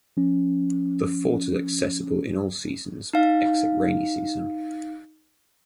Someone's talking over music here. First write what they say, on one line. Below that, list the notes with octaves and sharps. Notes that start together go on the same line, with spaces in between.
The fort is accessible in all seasons except rainy season.
F3 C#4
D#4 F5